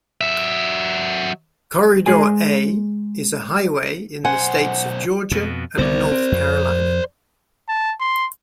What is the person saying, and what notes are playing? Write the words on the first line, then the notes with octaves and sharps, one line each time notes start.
Corridor A is a highway in the states of Georgia and North Carolina.
F#3 E5
G#3 G#4 C5 G#5
B1 C5 F#5 G#5
F2 B2
C2 D3 B3 C5 D5
C4
F2
A5
C6